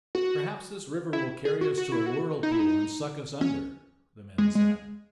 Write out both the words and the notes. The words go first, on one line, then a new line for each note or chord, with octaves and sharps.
"Perhaps this river will carry us to a whirlpool and suck us under," the men said.
F#4
E4
G#4
F#4
F#4
E4
F#4
D#4
E4
D#4
C#4
G#3
G#3